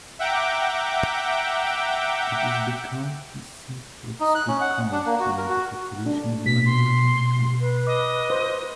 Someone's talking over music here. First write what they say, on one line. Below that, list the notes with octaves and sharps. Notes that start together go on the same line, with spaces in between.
It is the county seat of Scott County and the population is a minority-majority.
E5 F#5 G5 A#5 D6
D#4
F#6
C#4
F#5
D4
A#3
F#4
A#4
F#4
D4
B2 B6
C6
B4
D#5 D6
C5